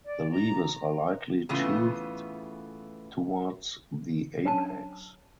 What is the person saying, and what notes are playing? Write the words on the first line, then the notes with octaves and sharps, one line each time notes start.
The leaves are lightly toothed towards the apex.
D5
A#5
A2 C#3 E3 A3 B3 F4
F#3 C#4 D4 A5 D#7